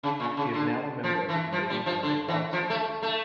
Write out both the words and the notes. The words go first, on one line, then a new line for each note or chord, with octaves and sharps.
He is now a member of the Canadian Olympic Bobsled Team.
C#3
A#2
C#3
D3
F3
E3
F3
G3
F3
D3
E3
F3
A3
A3